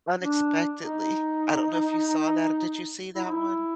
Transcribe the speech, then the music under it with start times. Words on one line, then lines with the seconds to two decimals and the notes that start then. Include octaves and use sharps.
Unexpectedly. I don't know if you saw that did you see that one?
0.22 D4
0.81 D#4
3.15 E4
3.24 D#4
3.32 E4